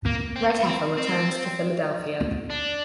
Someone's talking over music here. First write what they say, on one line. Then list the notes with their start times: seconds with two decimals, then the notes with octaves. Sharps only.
Redheffer returned to Philadelphia.
0.05 A#3
0.36 C4
0.66 C4
0.97 C4
2.50 D4